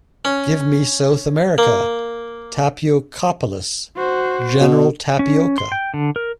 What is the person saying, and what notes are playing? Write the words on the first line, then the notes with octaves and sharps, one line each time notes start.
Give me South America... Tapiocapolis... General Tapioca!
C#4
A#3
F#4 C5
B2
C#4
C6
G5
D3
A#4